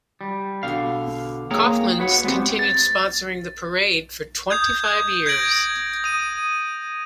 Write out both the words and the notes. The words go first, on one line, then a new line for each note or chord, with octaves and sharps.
Kaufmann's continued sponsoring the parade for twenty-five years.
G3
B2 D3 F5
A#3 G#4 C#5 F5 G5 A#5
F#4 B4 C#5 F#5
G#3 B3 C4 G4
A6
D#6 G6 G#6
G#6
G6 G#6 A#6 D7 F#7
D#6 D#7